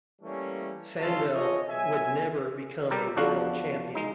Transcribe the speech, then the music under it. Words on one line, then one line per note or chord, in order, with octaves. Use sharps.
Sandel would never become a world champion.
E3 G3 A3 A#3 C#4
E2 G2 C#3 F4 A4 A5
F4 G#4 C#5 D#5
B2 F#3 E5 G#5
G3 G4 A4 A#4 A5
E2 F3 D4 F#4 F5
G#3 D#4